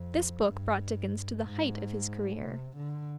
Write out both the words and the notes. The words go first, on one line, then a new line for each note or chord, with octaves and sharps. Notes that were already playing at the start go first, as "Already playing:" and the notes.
This book brought Dickens to the height of his career.
Already playing: F2
G2
G#2
C3
D3